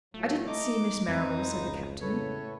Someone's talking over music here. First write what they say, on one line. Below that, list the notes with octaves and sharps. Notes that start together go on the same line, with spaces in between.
"I didn't see Miss Marrable," said the Captain.
A2 F#3 A3 F4
D#4 D#5 A#5 D6
F2 C4 D#4 B4 C5
C#2
A2 C#3 A4 B4 C#5